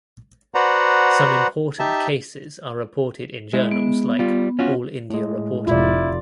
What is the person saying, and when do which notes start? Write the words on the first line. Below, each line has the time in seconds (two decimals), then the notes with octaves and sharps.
Some Important Cases are reported in Journals like All India Reporter.
0.55 F#4 B4 C5 D5 F#5 A#5
1.79 D#4 G4 E5 A5
3.53 G#3 E4
3.71 B3
4.19 G3 F4
4.59 C#4 F4 F#4
5.10 A2 G#3
5.67 F1 E4 F4 D5